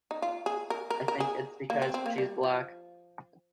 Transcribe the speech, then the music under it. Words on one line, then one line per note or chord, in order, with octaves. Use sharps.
I think it's because she's black.
D#4
F4
G#4
A#4
A#4
A#4
G#4
A#3
C4
C4
A#3
G3
F3